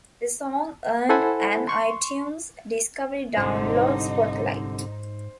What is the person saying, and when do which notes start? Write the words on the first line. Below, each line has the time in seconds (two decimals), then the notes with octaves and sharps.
The song earned an iTunes "Discovery Download" spotlight.
1.09 E4 A4 C5 F#5 G#5 B5
1.68 C6 C#6
3.37 C2 G#2 D3 D#4 C5